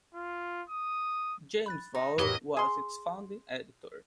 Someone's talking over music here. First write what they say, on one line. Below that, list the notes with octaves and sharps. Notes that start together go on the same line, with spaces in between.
James Vowell was its founding editor.
F4
D#6
B5 F#6 A6
D#4
F2 A2 E3 F#3 G4 A#4 D#5
G#4 C6